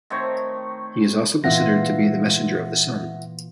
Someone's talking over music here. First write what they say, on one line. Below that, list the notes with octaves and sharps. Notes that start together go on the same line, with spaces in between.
He is also considered to be the messenger of the Sun.
D#3 A3 C4 C#5
A#2 E3 F4 E5 F#5 A#6